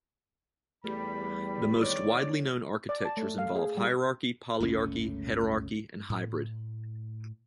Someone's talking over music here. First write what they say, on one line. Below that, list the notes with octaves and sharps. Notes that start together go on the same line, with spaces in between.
The most widely known architectures involve hierarchy, polyarchy, hetaerarchy and hybrid.
E2 G3 A3 G4 B5
D#3 E4 C#5 D5
D5
A5
A3
F5
G#4
G3
G1 C#2 A3 C#4
A2